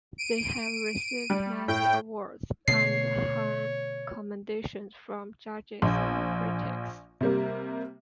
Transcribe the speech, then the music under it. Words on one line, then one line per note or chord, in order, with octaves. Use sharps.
They have received many awards, and high commendations from judges and critics.
D7 D#7
G3
A2 G5
B2 D3 A3 C#5 C7
A#1
C3 G3 A#3